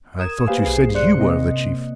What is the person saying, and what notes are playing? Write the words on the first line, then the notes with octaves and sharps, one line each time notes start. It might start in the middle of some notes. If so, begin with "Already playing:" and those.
"I thought you said you were the chief?"
A#4 D#6 G#6 E7
A#3 G4 B4 C5 F5 G#5
B1 G#4 C7
G2 C5 D5 C6 F#6 C#7
C3 A#3 C4 D#5